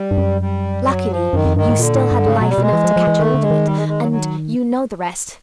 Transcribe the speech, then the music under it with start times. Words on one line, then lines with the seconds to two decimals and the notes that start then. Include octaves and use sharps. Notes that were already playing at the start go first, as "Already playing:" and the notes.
Luckily you still had life enough to catch hold of it, and you know the rest.
Already playing: G3
0.11 G2
0.17 F#2
0.41 G3
0.87 F#3
1.11 F3
1.33 F#2 D#3
1.45 F2
1.56 G2 D#3
1.69 G#2
1.79 A#2 D3
1.95 A2
2.11 G2
2.26 G#2 C#3
2.38 B2 F#3
2.49 G3
2.58 B2 G#3
2.73 E3
2.84 F3
2.96 F3
3.07 E3
3.19 D#3 A3
3.34 D3
3.42 G#3
3.51 D#3
3.65 G3
3.77 G#3
3.88 G#3
4.01 F#3
4.11 F#3